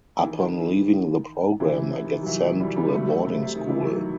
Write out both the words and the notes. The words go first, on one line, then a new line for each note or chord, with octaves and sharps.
Upon leaving the program I get sent to a boarding school.
E3
D#3
C3 E3
C3
D#3
F#3
C3 E3
D#3 F#3
E3 G3
G3 B3
B3
F#3 A3
C3
C3
D#3
E3
D#3 F#3